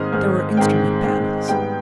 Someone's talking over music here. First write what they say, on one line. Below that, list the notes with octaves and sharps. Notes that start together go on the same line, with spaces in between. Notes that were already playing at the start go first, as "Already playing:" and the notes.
There were instrument panels.
Already playing: G#2 D#3 G#3 C4 D#6 F6
G#2 D#3 G#3 C4
G#2 D#3 G#3 C4 G5
G#2 D#3 G#3 C4
G#2 G3 B3 G5